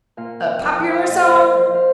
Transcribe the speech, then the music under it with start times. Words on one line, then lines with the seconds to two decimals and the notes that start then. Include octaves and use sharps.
"A popular song?"
0.17 A#2 F5
0.40 G5
0.64 F3 G5
0.87 F5
1.03 C5
1.11 A#2 D#5
1.34 C5
1.57 F3 C5
1.74 F5